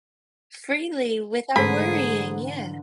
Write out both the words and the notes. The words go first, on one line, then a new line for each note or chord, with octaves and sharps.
freely without worrying, yeah.
G#2 D3 E3 A3 G#4 A4 C5 B5